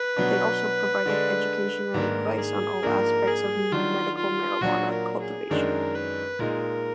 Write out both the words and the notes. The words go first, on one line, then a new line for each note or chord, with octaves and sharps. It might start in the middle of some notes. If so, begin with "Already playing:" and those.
They also provided education and advice on all aspects of medical marijuana cultivation.
Already playing: B4
B2 F#3 B3 D4
D3 G#3 D4
G#2 D#3 A#3 D4 A#4
G#4
G#2 F3 A#3 D4 A#4
G#4
D#3 F#3 D4 F4
F4
A#2 F#3 D4 F#4
A#4
G#4
F#2 D#3 G#3 D4 A#4
B4
A#2 G#3 D#4 A#4